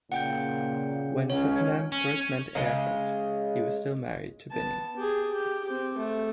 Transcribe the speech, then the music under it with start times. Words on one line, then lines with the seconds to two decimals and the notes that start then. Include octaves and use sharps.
When Putnam first met Earhart, he was still married to Binney.
0.12 A#2 C#3 F#5 G5 G6
1.30 C#2 C#4 C#5
1.92 C#4
2.55 C#3 G#3
4.52 B3 A5
4.96 G4 G#4
5.31 G4
5.65 C4 G4
5.98 A3